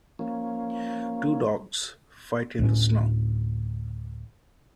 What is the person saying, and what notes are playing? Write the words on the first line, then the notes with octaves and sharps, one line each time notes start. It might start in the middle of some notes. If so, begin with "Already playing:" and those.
Two dogs fight in the snow.
F3 A#3 C#4
D2 A2 C4 C#4